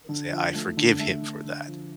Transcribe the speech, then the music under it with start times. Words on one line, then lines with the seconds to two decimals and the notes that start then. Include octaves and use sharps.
say I forgive him for that,
0.09 D3
0.32 F3
0.54 A3
0.77 D3
0.99 A3 E5
1.22 D3
1.45 D3
1.67 F3